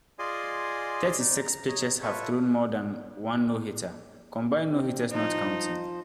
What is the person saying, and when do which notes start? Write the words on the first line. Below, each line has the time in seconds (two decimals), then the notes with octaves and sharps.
Thirty-six pitchers have thrown more than one no-hitter, combined no-hitters not counting.
0.19 F4 G#4 D5 D#5 G#5 C6
1.19 D#4 D5
1.42 A#5
1.68 C#5 D#5 A#5
2.02 F4 A4 B4 C#5 E5 C#6
4.68 C3 C4
5.12 F3 D#4 C5